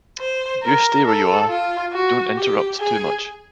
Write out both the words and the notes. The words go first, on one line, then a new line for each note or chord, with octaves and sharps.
You stay where you are — don't interrupt too much.
C5
A#4
A4
F4
F#4
G4
G#4